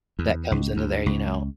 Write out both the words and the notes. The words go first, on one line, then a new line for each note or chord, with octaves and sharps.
that comes into there, you know,
E2
C#2
D2
C#2